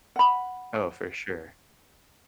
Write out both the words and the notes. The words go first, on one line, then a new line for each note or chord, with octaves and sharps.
Oh, for sure.
F#5 B5